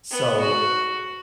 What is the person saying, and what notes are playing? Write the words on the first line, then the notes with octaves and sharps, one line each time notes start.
So, eh eh
B3
F#4